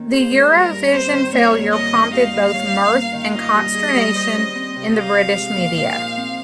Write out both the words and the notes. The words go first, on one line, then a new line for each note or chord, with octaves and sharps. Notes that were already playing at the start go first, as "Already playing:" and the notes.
The Eurovision failure prompted both mirth and consternation in the British media.
Already playing: D#3 A#3 C#4
G#4 C5
G#3
G3 A#4
G2
C4 C5
D#3
A#3 C#5
G2
F4 D#5
D#3
G4 F5
G3
C#5
C#4
A#3
D#3
F4 D#5
G3
G#4
G3
C5
C#4
C4
C3
G4 F5
F3
G#3
A#2
D#4
F3
C4